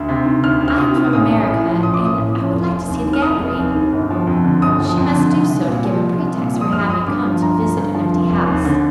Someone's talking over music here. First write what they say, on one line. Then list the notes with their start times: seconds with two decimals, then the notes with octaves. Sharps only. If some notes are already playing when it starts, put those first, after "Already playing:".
"I am from America, and I would like to see the gallery." She must do so to give a pretext for having come to visit an empty house.
Already playing: D2
0.09 C3
0.25 D#3
0.43 D2 F6
0.60 D2
0.68 F6
0.78 C3 D#6
0.95 D#3
1.13 A1 D#6
1.30 A1
1.48 A2
1.66 F3
1.83 A1 D#6
1.94 D6
2.00 A1 D#6
2.18 A2
2.35 F3
2.52 F1
2.70 F1
2.88 D#2
3.05 D#3
3.13 F6
3.22 F1 D#6
3.40 F1
3.58 D#2
3.75 D#3
3.93 G1
4.10 F3
4.27 F2
4.45 D3
4.62 G1 D#6
4.80 F3
4.97 F2
5.15 D3
5.32 C2
5.50 C2
5.67 A#2
5.85 F3
6.02 C2
6.20 C2
6.37 A#2
6.55 F3
6.61 D#6
6.72 G1 F6
6.90 G1 D#6
7.07 G2 D6
7.25 F3
7.42 G1 A#5
7.59 G1
7.77 G2
7.95 F3
8.12 F1
8.30 F1
8.47 D#2
8.65 D3